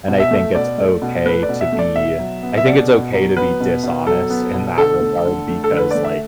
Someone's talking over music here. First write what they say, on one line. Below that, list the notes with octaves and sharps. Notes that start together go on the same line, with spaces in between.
and I think it's okay to be I think it's okay to be dishonest in that regard because, like,
B2
E5
A3
B2 D5
A3
B2
A3 B4
D5
B2
E5
A3
D5
B2 E5
F#3
B3
E5
B2 D5
B2
F#3
B3 B4
B2
B2
F#3 A4
B3
B2
D3 A4
A3
D3
A3
A4
D3
B4
A3 D5
E5